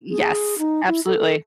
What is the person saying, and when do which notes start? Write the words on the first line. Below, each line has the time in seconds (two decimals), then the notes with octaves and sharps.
Yes, absolutely.
0.10 G#4
0.59 D#4
0.87 E4
1.06 A4